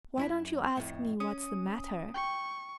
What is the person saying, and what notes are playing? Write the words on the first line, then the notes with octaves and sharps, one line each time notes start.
"Why don't you ask me what's the matter?"
F#2 E4 B5
F2 A2
C#4 D#6
G5 C#6